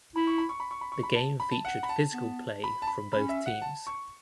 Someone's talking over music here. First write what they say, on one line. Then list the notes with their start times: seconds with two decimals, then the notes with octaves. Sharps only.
The game featured physical play from both teams.
0.16 E4 B5
0.27 C#6
0.38 B5
0.49 C#6
0.60 B5
0.71 C#6
0.81 B5
0.92 C#6
1.03 B5
1.15 A5
1.40 B5
1.51 A5
1.65 F#5
1.83 B5
1.89 A5
2.14 B3
2.64 B5
2.82 A5
2.87 B5
3.13 C#4 B5
3.29 E5
3.46 F#5
3.62 A5
3.87 C#6